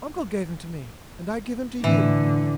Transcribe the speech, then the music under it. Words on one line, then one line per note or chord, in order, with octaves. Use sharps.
Uncle gave him to me, and I give him to you.
A2 D3 E3